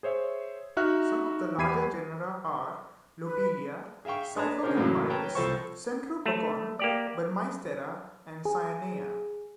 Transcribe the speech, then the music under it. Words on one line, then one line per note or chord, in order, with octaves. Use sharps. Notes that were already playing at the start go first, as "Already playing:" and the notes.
Some of the larger genera are "Lobelia", "Siphocampylus", "Centropogon", "Burmeistera" and "Cyanea".
G#4 C5 C#5 E5
D#4 F#4 E5 F6 F#6
E2 G4 B5 G#6 C7 D#7
B4
G#4 E5 F5 G5 C#6
D4 B4 C#5 A5 A#5
C#3 C#4 D4 G#4 A#4 C5
F#2 A2 C#3 E3 F#3 A#3
A#4 B4 C#5 G5 A5 A#5
C2 F3 A4 C5 A5 C#6
A3
A#3 G4 D5
G#4